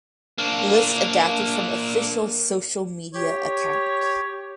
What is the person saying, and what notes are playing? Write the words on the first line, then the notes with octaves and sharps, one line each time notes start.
List adapted from official social media account.
A#3 D4
G4 C#5